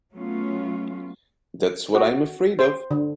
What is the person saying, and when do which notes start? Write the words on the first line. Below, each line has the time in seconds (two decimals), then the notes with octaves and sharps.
That's what I'm afraid of.
0.14 F#3 A3 B3 C#4 F4
1.95 F#4
2.59 C5
2.91 D3